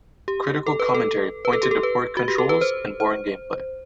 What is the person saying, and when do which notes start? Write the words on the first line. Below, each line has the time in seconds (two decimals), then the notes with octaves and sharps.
Critical commentary pointed to poor controls and boring gameplay.
0.28 G4
0.67 A4
0.80 B4
0.94 A4
1.45 B4
1.53 A4
1.63 G4
1.71 A4
1.83 B4
2.17 F#4
2.28 G4
2.38 A4
2.49 B4
2.61 C5
3.00 C5